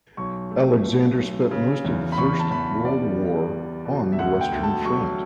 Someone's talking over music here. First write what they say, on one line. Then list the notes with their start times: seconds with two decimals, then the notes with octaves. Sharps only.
Alexander spent most of the First World War on the Western Front.
0.17 B1 C#6
0.51 A3
0.84 B1
1.18 B1
1.51 C#3
1.84 E2
2.12 B5
2.18 E2 C#6
2.39 A5
2.51 E2 B5
2.85 G3 D5
3.18 G3
3.52 G3
3.85 B2
4.12 E5
4.19 D2 F#5
4.41 G5
4.52 D2
4.63 A5
4.85 F#3 C#6